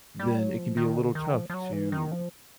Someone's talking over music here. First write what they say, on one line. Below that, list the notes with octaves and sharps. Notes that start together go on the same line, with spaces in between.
then it can be a little tough to
G3
F#3
F3
D#3
D3
D#3
F3
F3
F#3
E3
D#3
F3